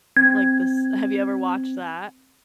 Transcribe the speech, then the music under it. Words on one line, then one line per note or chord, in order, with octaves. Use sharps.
Like this have you ever watched that?
C4 G#6